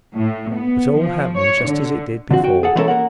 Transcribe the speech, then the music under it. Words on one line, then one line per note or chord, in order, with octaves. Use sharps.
But all happened just as it did before.
A2
B3
F3
C#5
D3
D3 F3 C4 F#4
F#4 G5
G#4 A4 F#5
E3 G3 G#3 C#4 A4 A#4
A#3 A#4 F#5